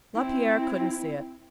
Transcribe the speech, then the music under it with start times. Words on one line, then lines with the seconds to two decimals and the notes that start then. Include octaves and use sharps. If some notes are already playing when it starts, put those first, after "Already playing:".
Lapierre couldn't see it.
0.14 C4 E4